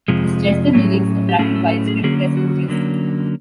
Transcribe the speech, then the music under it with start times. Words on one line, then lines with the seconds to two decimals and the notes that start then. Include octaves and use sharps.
The suggestive lyrics attracted widespread press interest.
0.08 F2 C3 F3 G#3
0.73 A2 F#3 A3 C#4
1.29 G4
1.38 A2 F#3 A3 C#4 G#4
1.55 A4
1.71 A4
1.88 G#4
2.04 D3 F#3 A#3 C#4 G#4
2.37 F#4
2.68 D3 F#3 A#3 C#4